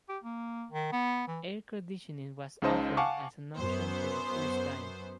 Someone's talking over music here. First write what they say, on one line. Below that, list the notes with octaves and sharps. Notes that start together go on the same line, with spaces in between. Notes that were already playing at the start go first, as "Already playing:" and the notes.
Air conditioning was offered as an option for the first time.
G4
A#3
D#3
B3
E3
C#2 C#3 D#4 C5 D#5 A5
F5 F#5 G#5 A5 C#6 D6
F#2 B3 C5